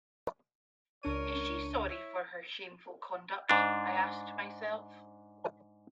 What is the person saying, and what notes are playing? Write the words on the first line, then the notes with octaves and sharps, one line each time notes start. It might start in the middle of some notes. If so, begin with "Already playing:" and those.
Is she sorry for her shameful conduct? — I asked myself.
C#2 D4 A#4 C#5 D#7
E4 C#5 E5
G#2 D4